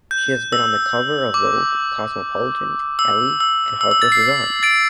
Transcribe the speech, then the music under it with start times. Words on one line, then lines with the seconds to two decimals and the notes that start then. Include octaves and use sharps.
She has been on the cover of "Vogue", "Cosmopolitan", "Elle", and "Harper's Bazaar".
0.11 G6
0.52 E6
1.34 D6
2.99 E6
3.40 E6
3.81 E6
3.91 E6
4.02 A6
4.12 C7
4.63 A6 D7